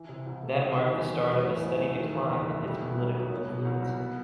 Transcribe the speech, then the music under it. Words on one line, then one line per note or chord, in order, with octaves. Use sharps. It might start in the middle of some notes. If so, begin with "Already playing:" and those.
That marked the start of a steady decline in his political influence.
Already playing: E3
C3
C2
A3
G3
D#3
E2
E2
F#3
A2
A1
A3
D#3
E2
F#1
A3
G3
B2
B1
B3
F#3
B2
C2
C2
B3